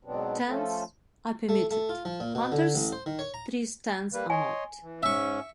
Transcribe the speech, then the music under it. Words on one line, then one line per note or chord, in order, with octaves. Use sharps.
Tents are permitted; hunters' tree stands are not.
G#2 B2 F#3 B3 C4 D4
F3 A3 C#4 F4 A4
A3
A3
F4
F3
A#2
B2
D3
A1
C5
D#3
C#5
A#5
G3 A#3 B4
C#5 D#5 G#5 C6
E3
G#2 C#4 E5 C#6